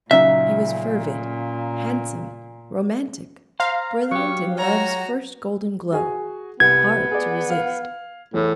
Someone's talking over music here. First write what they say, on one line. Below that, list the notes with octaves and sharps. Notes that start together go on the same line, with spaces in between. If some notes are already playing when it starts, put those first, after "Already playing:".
He was fervid, handsome, romantic, brilliant in love's first golden glow, hard to resist.
A#2 C#3 F#3 D#4 E5
C5 F5 A#5
F#3 G4 C#6
F#4 C#5 A#5
F#4 G#4 G#5
C2 B3 G#6
G#4 D5
F5
E2 A2